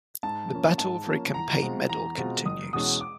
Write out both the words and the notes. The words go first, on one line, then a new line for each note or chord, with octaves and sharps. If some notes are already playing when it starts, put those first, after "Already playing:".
The battle for a campaign medal continues.
G#2 A5
F3 A#3 C#4
G#2 A5
F3 A#3 C#4
E2 A#5
B2 G#3 C4 F4
E2 A#5
B2 G#3 C4 F4
F#1 D#6
E2 B2 G#3 C#4 D#6
D6